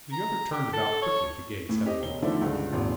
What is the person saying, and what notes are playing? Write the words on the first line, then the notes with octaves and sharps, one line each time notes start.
The other turned about quickly to gaze heavenward.
A#5
G4
A4
C#5
A2
C4 G4 D#5
E1 G7
D3 D#3 F3 A3 D4 E4
C#2 G2 D3
D#1 G#1 F4